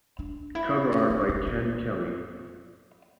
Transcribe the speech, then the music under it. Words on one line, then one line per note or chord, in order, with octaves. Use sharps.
Cover art by Ken Kelly.
D4
E4
C#4
D4
D4
D4
E3